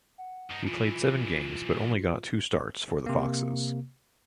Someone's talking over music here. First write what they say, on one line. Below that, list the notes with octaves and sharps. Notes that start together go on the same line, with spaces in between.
He played seven games, but only got two starts for the "Foxes".
F#5
G2 D#4
B1 E3 F4
C3 A#3